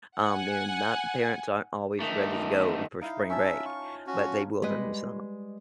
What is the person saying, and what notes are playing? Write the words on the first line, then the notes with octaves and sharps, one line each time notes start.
um, and, not parents aren't always ready to go for spring break, but they will during the summer.
F#5 G#5
D#3 A3
D#4 E4 F5 G5
C#4 F4 E5 A5
F4 C#6
C#4 F#4
G3 G#3 B4 D#5